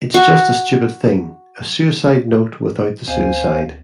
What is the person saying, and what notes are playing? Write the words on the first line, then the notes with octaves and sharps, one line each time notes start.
It's just a stupid thing-a suicide note without the suicide.
F#4 C#6
D2 C5 F5 G#5